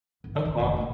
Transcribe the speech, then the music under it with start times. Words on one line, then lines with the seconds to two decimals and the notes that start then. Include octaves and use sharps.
Oh, cool.
0.24 G#1
0.45 D#3
0.60 F1
0.77 A2 A#3